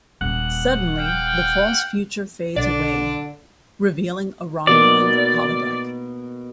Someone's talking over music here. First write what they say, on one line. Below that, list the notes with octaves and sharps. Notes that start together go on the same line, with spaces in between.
Suddenly, the false future fades away, revealing a Romulan holodeck.
D#1 A#3 F#5
F5 G5
B1 D3 D4 D5
B2 A#3 D#4 D5